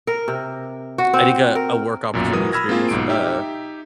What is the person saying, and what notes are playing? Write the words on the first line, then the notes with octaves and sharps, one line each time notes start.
I think a a work opportunity experience w uh,
A#4
C3
F#4
C4
A#4
B1 F#2 A#2
E3 F#3 A#4 D#6
B5 E6 F6 G#6 A#6
A#3 C4 F4 G#4
B1 G#2 D7
D#4 G4 E5